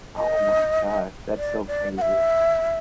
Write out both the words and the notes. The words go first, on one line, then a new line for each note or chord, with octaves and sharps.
Oh my god. That's so crazy.
D#5
D5
D5
F#5
E5